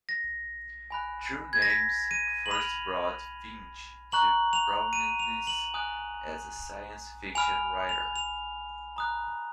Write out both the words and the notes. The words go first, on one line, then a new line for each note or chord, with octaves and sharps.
"True Names" first brought Vinge to prominence as a science fiction writer.
A#6
G#5 B5 F#6
G#6
A#6
B6
D#7
F#7
B5 F6 F7
A#5 C#6 F#6 F#7
F7
D#7
F7
F#7
G#5 D#6 F#6
G#5 B5 F6 F7
F7
F7
A#5 D#6 F#6